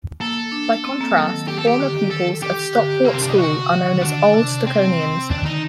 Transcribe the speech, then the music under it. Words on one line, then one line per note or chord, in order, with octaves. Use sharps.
By contrast, former pupils of Stockport School are known as Old Stoconians.
A#3 A4
D4
C4
A#3
F#3
D#3
G4
A4
G4
D3
D#3
A4
G4
D3
C3 A#3
C4
D4
D#4
D3 F#4
D#3
D3
D3 D4
C3
C4
D#3 D4
D3
D#3 D#4